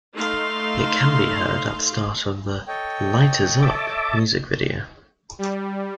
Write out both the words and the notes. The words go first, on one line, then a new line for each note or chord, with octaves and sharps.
It can be heard at the start of the "Lighters Up" music video.
A3 D#4 F5 C6
A4 C#5 D#5 G5
E5 A5 D6
G3